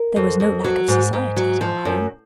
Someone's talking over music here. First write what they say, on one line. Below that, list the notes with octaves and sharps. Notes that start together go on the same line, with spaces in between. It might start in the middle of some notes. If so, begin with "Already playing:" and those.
There was no lack of society at our home.
Already playing: A#4
F2
F2
F#3
G#2
G#2
F#3
F3
F#2